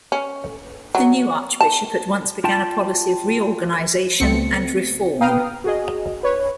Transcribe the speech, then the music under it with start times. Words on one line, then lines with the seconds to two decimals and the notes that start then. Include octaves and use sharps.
The new archbishop at once began a policy of reorganisation and reform.
0.12 C#4
0.95 F#3
1.61 A5
2.44 F4 G5 A5
4.20 C#2 A3 B3 C4 C#7
5.21 B4 F5 G5 A#5 D#6 F6
5.64 F#4 G#4 D#5
6.23 B4 C#5